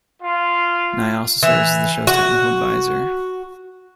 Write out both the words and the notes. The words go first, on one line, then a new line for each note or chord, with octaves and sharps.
Nye also serves as the show's technical advisor.
F4
E3
F#4